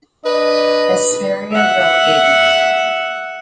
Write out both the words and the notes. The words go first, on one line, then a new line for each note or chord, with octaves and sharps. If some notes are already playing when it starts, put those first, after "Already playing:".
Esperia relegated.
D4 B4 D#5
E5 F#5